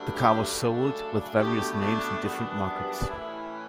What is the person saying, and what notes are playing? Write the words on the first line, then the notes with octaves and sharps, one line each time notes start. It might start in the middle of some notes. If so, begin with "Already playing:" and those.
The car was sold with various names in different markets.
Already playing: G2 F#3 A3 D4
G4
C#3 F#3 A3 D4 A4
B2 A3 D4 G4
D4
F#2 E3 G3 B3 D4
A2 E3 A3 C#4 E4